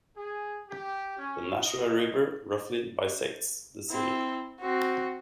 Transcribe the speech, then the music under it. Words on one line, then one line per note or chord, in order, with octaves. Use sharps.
The Nashua River roughly bisects the city.
G#4
G4
C#4
D#5
C4 E4
C4 F#4